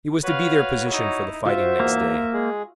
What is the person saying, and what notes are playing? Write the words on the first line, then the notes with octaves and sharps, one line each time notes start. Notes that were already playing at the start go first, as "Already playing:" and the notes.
It was to be their position for the fighting next day.
F#4 B4 C#5 F5
D#4 E4
F4 F#4 C5 E5
E2 G#2 A#3
G#3 G#4